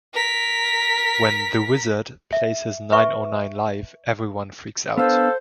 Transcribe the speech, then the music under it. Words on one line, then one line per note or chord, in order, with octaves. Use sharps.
When "the wizard" plays his nine o nine live, everyone freaks out.
A#4 B6
E5
B4 E5 C#6
B3 D4 A4 B4 C5 F5